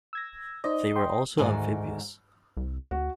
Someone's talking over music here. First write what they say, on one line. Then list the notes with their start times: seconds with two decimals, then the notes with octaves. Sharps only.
They were also amphibious.
0.13 E6 G#6 A#6
0.64 D#4 C5 D5 D#5
0.96 G5 C6
1.38 D2 G#2 D#3 G#5
2.57 C2
2.91 D2 F#4